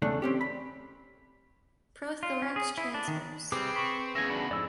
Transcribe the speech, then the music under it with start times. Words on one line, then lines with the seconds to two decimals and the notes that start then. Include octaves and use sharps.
Prothorax transverse.
0.02 E2 C#3 A3 D4
0.22 C4 C#4 G4
0.41 B5
2.23 F4
2.42 C#4
2.56 G#4
2.78 E4
2.94 D4
3.08 D#3
3.52 C3 G3 C4 G#4 B4 D6
3.76 B5 C#6
4.15 E2 C#3 E5 G#5 A#6
4.29 D4 F#4 B5
4.51 F2 G#2 E3 D5 E6